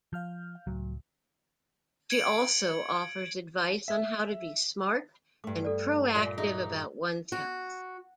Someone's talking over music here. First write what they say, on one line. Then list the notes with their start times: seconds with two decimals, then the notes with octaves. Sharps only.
She also offers advice on how to be smart and proactive about one's health.
0.13 F3 F5 F6 G6
0.67 C#2 A2 F#3
2.10 G#6 C#7 D7 F#7
3.88 E5
5.44 G2 A3 D6
5.65 A4 D5
6.15 A#2 F4 A#4 E5
6.38 D#4 F#4 G#4 E5
7.32 F#4